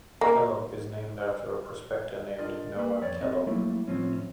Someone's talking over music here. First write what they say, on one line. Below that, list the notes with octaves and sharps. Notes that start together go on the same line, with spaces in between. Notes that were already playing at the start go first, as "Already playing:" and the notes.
Kellogg is named after a prospector named Noah Kellogg.
A#3
D4 F4 A#4 D5 D#5
A#3 B4
F2 C#5 D5
B3 C4 A4 D#5 E5
F#3 G3 A3 A#3 E4
A2 F3 C4 C#4